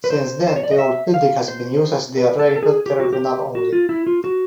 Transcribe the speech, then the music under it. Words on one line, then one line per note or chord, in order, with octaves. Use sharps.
Since then, the old building has been used as the arrival terminal only.
B4
C5
C5
C#5
D5
D#5
E5
F5
C5
B4
A4
A4
G#4
G4
F#4
G4
F#4
F4
E4
F4
F#4